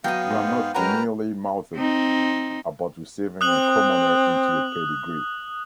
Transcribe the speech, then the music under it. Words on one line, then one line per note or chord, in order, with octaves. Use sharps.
You are not mealy-mouthed about receiving a commoner into your pedigree.
F#3 B3 D#5 F5 G5
G#2
G#3 C#4 F#4 G4 A#4 B4 A#5
C4 D#4
C4 D#6 F#6 F#7